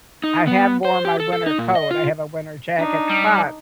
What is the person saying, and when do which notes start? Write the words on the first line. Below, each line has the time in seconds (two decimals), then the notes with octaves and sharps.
I have worn my winter coat. I have a winter jacket, but
0.24 D#4
0.47 B3
0.85 C5
1.05 G4
1.20 A4
1.33 A4
1.46 D#4
1.59 A#2
1.75 D#5
1.91 F4
2.77 D4 D#4
3.10 G3